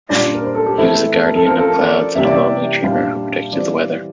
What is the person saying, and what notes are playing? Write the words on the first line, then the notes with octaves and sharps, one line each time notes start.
He was a guardian of clouds and a lonely dreamer who predicted the weather.
A#2 G3 D4 D5
A#4
C5
A4
G4
E3 A3 C4 E4 A4
A4
A#4
A4
F3 C4 F4 A#4
A4
A#4
D5
C3 E3 G3 A#3 E5
D5
E5
A#2 G3 D4 F4 F5
E3 G3 C4 F4 D5